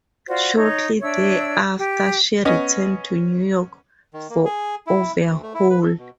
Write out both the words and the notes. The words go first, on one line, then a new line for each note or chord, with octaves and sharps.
Shortly thereafter she returned to New York for overhaul.
F4 F#4 C5 D5
D#4 C#5
D4 C#5 E5 E6
G4
B3 C#4 D#5
D#3
A#3
G#4
E4
D2
A3
E4
B4
A4
B2